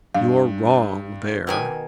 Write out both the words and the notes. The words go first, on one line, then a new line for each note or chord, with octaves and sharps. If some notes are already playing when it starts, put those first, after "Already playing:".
"You are wrong there."
G2 F5
B2 D#3 G#5